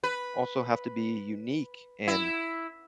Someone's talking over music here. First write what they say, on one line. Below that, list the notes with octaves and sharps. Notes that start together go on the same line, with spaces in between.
also have to be unique, and
B4
E4